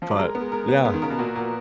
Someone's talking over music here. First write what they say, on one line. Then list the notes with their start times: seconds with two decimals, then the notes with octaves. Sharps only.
but yeah.
0.02 F3
0.10 F#3
0.18 G#3 A#4
0.35 B3
0.41 G#3
0.52 G#3 A#4
0.68 B3
0.85 G#3 B3
0.94 D#3
1.02 C#3 A#4
1.10 B2
1.19 A#2 F#4
1.35 A#2 A#4